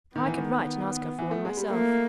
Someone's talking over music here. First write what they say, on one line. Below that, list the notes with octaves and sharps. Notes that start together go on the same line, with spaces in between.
"I could write and ask her for one myself."
D#3 B3
E3
D#3
E3
A3
G#3
G3
A3 A#3